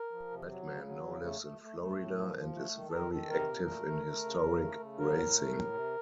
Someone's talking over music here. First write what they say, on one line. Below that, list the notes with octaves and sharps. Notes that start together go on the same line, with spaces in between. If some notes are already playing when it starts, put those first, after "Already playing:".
Redman now lives in Florida and is very active in historic racing.
Already playing: A#4
F3
C3
F#3
C#3
F#3
C#3
A3
A3
A3
A3
A2
F3
F3
A3
D#3
A4
D#3 A#4
D#3 A4
C3 A#4
A#2
A3
A3
A3
C#3
C#3
A3
C#3
F#3 A#4
A2
A3
A2
C3